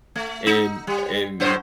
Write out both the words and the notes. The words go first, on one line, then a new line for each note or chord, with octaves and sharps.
and and,
A3
D#4
G3
F#2 A2 C5